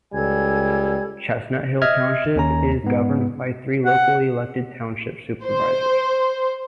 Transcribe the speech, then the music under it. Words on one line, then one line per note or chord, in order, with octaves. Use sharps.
Chestnuthill Township is governed by three locally elected, Township Supervisors.
C#2 G3 A4 G#5 G#6
D#5 E5 F6 G#6
D#2 C#4 A#5
G#2 B3
F#5
C5